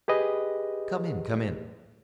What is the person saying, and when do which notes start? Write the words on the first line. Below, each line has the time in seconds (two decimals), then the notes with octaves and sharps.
Come in, come in.
0.08 G4 G#4 B4 D#5